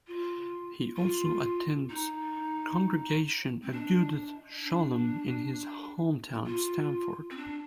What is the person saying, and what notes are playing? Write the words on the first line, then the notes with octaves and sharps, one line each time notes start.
He also attends Congregation Agudath Sholom in his hometown Stamford.
F4
F4
D#4
C4
D4
D4
F4
C4
D4